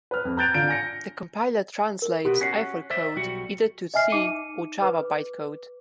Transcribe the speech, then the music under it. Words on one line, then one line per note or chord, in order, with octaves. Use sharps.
The compiler translates Eiffel code either to C or Java bytecode.
B4 F6
F2
A#5 F#6 G6 A6 D7 F7
D3 F4 G6 D7
G#5 A#6 C#7
A#4
B2 B3 G4
C#4 F#4 B6 C7
C5 D5 E5
B1 G3 F#4
D#5 E5 G#5 F6 C7
D#4 D6 C#7 D#7
B4 D6